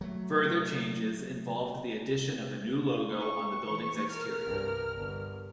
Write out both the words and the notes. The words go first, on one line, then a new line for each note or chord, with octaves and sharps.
Further changes involved the addition of a new logo on the building's exterior.
F#3 A3
C#6
E3
A#4 F6
C2 G2
G1